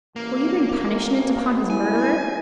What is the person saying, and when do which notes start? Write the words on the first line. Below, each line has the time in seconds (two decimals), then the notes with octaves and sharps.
Will you bring punishment upon his murderer?
0.16 A1 A#3
1.70 E4 G#5